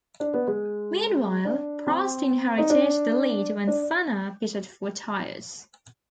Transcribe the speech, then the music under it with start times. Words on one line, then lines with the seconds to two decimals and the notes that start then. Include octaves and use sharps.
Meanwhile, Prost inherited the lead when Senna pitted for tyres.
0.20 D4
0.34 B3
0.47 G#3
1.45 D4
1.87 C4
2.58 D#4
2.70 D4
3.67 D4